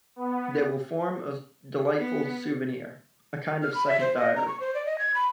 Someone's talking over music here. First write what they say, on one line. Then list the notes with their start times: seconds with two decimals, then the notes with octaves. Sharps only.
They will form a delightful souvenir, a kind of second diary.
0.16 B3
1.98 B3
3.62 F6
3.74 B5
3.88 E5
4.01 C5
4.18 D#5
4.36 A#5
4.48 C#6
4.60 C5
4.74 D5
4.86 D#5
4.99 G#6
5.15 B5